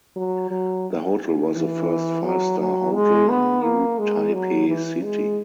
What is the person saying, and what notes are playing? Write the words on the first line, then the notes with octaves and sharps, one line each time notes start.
The hotel was the first Five star hotel in New Taipei City.
F#3
F#3
E3
F#3
F#3
G#3
B3
A#3
G#3
F#3
E3
G#3